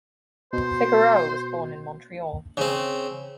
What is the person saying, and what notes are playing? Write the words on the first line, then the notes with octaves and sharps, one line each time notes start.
Figueroa was born in Montreal.
B2 C5
C#3 C4